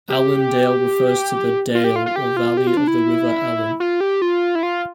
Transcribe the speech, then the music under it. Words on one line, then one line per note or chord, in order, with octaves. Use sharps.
Allendale refers to the "dale" or valley of the River Allen.
G4
F4
G4
F4
F4
G4
F4
G4
F4
D4
E4
F4
G4
F4
E4
F4